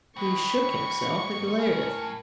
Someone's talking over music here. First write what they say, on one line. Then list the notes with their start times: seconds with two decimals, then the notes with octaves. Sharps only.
He shook himself and glared at them.
0.16 G#3 C4 B5 C#6
1.59 A2 A#4 G#5